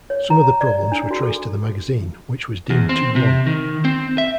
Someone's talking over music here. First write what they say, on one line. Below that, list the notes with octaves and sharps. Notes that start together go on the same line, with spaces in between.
Some of the problems were traced to the magazine, which was deemed too long.
C#5
A#5
D5
D4
F#4
A4
E2
C4
C3
D#3
C4
E5